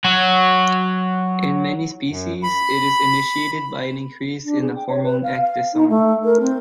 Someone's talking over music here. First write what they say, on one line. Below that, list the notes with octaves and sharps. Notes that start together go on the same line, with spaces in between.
In many species it is initiated by an increase in the hormone ecdysone.
F#3 F#4
F#2
B5
D4
G#4
G5
C#5
B4
F5
F5
D#4
A3
A#4
C4